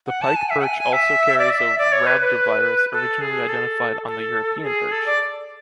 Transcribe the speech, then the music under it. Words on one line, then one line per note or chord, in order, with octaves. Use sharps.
The pike perch also carries a rhabdovirus originally identified on the European perch.
F#5
A5
G#5
E5
F#5
G#5
G#5
E5
D5
E5
D5
C#5
B4
B4
A4
G#4
A4
A4
G#4
A4
D5